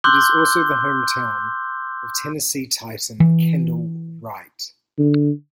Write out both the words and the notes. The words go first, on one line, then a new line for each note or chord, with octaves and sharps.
It is also the hometown of Tennessee Titan Kendall Wright.
C6 D6 E6 F#6 G6 G7
E3
D3